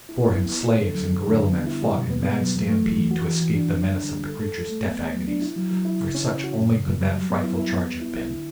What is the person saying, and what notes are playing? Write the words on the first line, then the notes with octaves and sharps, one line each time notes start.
Before him slaves and gorilla-men fought in mad stampede to escape the menace of the creature's death agonies, for such only could that frightful charge have been.
E4
B3
E4
B3
A4
D3
F#3
F#2
D3
G3
B3
E4
G3
B2
B3
B3
F#3
E2
A3
E2
E3
F#4
E3
E3
D4
D3
G3
D3
G3
A4
A4
A4
A3
B3
B3
F#3
D4
E4
F#3
F#3
E4
C#3
C#4
C#4
F#4
F#2
C#3
F#2
G3
F#3
B3
E4
E4
B3
G3
E4
E4
D3